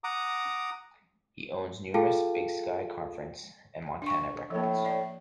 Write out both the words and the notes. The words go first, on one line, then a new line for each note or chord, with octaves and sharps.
He owns numerous Big Sky Conference and Montana records.
F#5 A#5 D6 D#6
F4 G#4 A4 F5 G5 A5
D4 C#6
A2 F3 A#3
C#5 D5